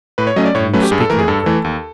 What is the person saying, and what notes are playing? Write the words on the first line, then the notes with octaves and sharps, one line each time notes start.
"Can you speak now, Gregg?"
A2 B4
C#5
F#3 A3 C#4 D#5
D5
A2 C#5
F#3 A3 C#4 B4
G4
G2 G#4
A4
E3 A3 A#4
G#4
G2 A4
E3 A3
D#2